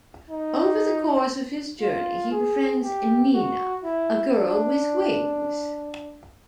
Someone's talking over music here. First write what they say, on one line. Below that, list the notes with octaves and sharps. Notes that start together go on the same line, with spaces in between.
Over the course of his journey, he befriends Nina, a girl with wings.
D#4
F4
G#4
G4
F#4
E4
D4